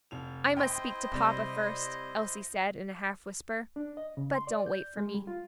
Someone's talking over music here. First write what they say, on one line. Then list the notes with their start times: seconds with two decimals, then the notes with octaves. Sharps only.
"I must speak to papa first," Elsie said in a half whisper, "but don't wait for me."
0.11 F1 F7
0.57 E4 C5 D#5 G5 C6 D#6
1.13 C3 G3
3.76 D4
3.97 D#5
4.17 C#3
4.35 C6
4.47 D5
4.66 G6
4.97 G#3
5.14 G3
5.27 F4